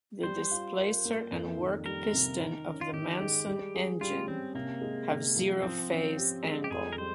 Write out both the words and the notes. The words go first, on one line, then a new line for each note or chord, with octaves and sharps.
The displacer and work piston of the Manson Engine have zero phase angle.
G3 C5
F4
A#4
A#3
F2
D#3
G3 A#4
C3
D#3
C#4
F4
D#3 G4
G#3
G3
G#4
G3 F4
C4 C#4
C3 A#3
G#3
C3
F3
F3 C4
C#4
G4
G#3
G4
F2 G#4
A#4
G3 C5